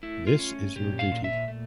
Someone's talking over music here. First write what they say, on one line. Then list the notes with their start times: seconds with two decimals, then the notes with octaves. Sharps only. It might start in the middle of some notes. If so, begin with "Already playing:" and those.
This is your duty.
0.03 A3 E4
0.27 F4
0.39 C#4
0.76 A#2 G4
0.99 F5
1.12 A#2
1.24 E5
1.48 A3